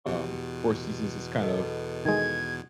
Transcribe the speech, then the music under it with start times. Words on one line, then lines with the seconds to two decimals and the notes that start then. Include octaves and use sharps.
um, four seasons is kind of
0.06 E2 B2 G4
1.42 A4 B4 D#5
2.05 D#3 G#3 G#6